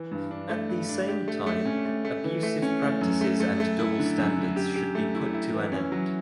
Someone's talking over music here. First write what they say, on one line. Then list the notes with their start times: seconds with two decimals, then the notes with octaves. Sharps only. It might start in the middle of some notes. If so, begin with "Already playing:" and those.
At the same time, abusive practices and double standards should be put to an end.
Already playing: E3
0.11 G2
0.31 D4
0.49 A3
0.69 G2
0.89 D4
1.08 G4
1.28 A3
1.46 A3
1.66 C#4
1.86 A3
2.05 A3
2.24 E3
2.43 A3
2.62 C#4
2.82 A3
3.01 F#2
3.21 A3
3.40 A3
3.60 A3
3.79 E4
3.99 D3
4.18 F#2
4.37 D3
4.56 G4
4.76 G4
4.95 A3
5.15 E4
5.34 E4
5.54 E3
5.72 C#4
5.92 F#3